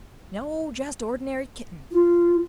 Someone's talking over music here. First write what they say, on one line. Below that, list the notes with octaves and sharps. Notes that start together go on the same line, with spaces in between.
"No; just ordinary kitten."
F4